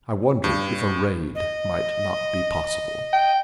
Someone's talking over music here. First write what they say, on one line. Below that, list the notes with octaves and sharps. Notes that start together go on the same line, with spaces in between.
I wondered if a raid might not be possible.
G2
D#5
G5